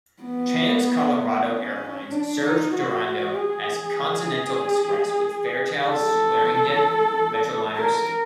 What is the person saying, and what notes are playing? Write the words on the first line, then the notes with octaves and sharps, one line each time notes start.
Trans-Colorado Airlines served Durango as Continental Express with Fairchild Swearingen Metroliners.
B3
C#4
D4
D#4
F#4
G#4
A4
A#4